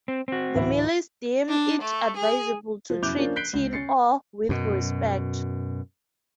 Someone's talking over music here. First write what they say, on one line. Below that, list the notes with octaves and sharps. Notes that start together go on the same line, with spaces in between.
The Malays deem it advisable to treat tin ore with respect.
C4
C4 F#4
D1 E3 E4
D4
A3
G#4
F3
F#2 E4 D6 F#6 G6 F7
F3 A#3 C#4 D4
F#6 G6 B6 C7 D7 G7
C#2
C#4 A6 C7 C#7
F#2 B2